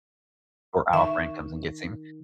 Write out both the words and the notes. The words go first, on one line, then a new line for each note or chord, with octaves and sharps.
or our friend comes and gets him,
D#3 E5 C#6